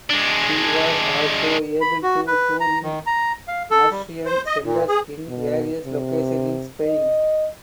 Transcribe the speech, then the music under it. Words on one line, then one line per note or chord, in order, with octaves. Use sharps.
She was also able to tour in Asturian centers in various locations in Spain.
G#3 D4
B5
F#4
B4
A#5
D#3
A#5
F5
A4
G3
C5
D#5
A#2
G#4
B2
C3
D#5